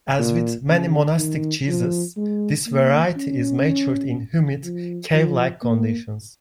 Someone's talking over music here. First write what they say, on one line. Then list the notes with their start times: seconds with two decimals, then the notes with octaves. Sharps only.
As with many monastic cheeses, this variety is matured in humid cave-like conditions.
0.19 A#2
0.68 C#3
1.18 D#3
1.68 F3
2.16 G#3
2.66 A#3
3.16 C#4
4.64 F3
5.13 F3
5.63 A#3